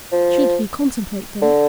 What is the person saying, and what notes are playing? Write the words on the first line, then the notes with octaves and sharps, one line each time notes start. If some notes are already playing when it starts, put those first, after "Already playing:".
Should he contemplate them?
F3
D3